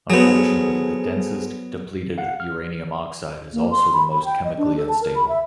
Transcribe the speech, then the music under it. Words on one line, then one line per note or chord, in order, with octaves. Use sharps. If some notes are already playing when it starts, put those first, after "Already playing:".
Unfortunately, the densest depleted uranium oxide is also the most chemically unstable.
F#3 B3 G#4 A4 C5
F5 F#5
F6
A#3
C6
B5
B5
G5
D#5
D4
A4
A5
A#4
B5
E5